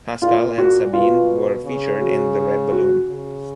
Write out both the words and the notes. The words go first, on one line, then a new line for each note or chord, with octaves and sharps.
Pascal and Sabine were featured in "The Red Balloon".
A#2 F4
F#4
B2 F4
C#3
F#4
F#4
C#3